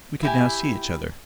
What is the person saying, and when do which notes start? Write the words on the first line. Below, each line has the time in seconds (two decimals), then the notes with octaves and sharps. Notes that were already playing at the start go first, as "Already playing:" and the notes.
We could now see each other.
0.23 E4 G4 G#5